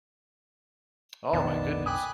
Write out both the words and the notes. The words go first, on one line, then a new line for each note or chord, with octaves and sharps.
Oh my goodness.
B1 F2 B2 D#3 B3 D4 A5
G5 G#5 B5 D6 D#6 F#6